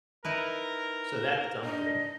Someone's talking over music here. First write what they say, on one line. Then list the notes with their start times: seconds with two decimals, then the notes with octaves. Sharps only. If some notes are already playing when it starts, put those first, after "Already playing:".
So that's something.
0.25 D#4 E4 A#4 B4
1.64 D4 D#5